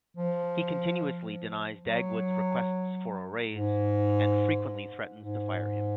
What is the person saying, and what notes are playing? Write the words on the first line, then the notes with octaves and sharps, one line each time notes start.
He continuously denies Dagwood's requests for a raise and frequently threatens to fire him.
F3
F#3
G#2
G#2